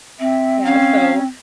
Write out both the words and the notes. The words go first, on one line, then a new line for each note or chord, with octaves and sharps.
yeah, so
C4 E5
C#4 F5